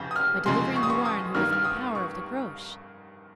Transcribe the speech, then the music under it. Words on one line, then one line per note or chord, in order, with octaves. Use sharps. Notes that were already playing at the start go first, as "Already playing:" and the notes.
'By delivering Houarn, who is in the power of the Groac'h.'
Already playing: F2 C#3 G6
D#6
F6
F2 C#3 G#3 C6
C#6
D#6
C#6
D#6
G2 D#3 A#3 F6
F6
D#6
C#6